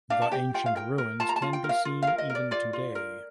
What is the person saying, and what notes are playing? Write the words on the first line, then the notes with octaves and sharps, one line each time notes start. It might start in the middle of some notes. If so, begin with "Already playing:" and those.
The ancient ruins can be seen even today.
D4 F5
A5
G4 G5
F4 G5
F5
A#4 G5
A#4
F4 A5
A#5
A5
F4
G5
A#4
F5
F4
A#4 F5
D#5
A#4
D5
F4 D5
F4
A#4